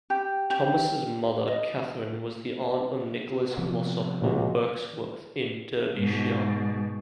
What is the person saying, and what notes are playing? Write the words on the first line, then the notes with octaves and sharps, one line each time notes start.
Thomas's mother, Katherine, was the aunt of Nicholas Glossop of Wirksworth in Derbyshire.
G4
G4
D#5
C3 F3 B3
C#2 A#2 F#4
G#2 B2